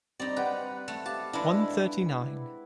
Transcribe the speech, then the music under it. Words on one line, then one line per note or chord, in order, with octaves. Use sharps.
One thirty-nine.
G3 C4 D#4 D5
G4 B4 F#5
A3
G4 F5 A5
G#3 D4 E4 B4 B5